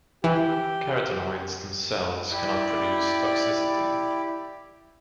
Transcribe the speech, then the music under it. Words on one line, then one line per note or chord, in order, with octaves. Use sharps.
Carotenoids themselves cannot produce toxicity.
E3 G4
E4 G4 D5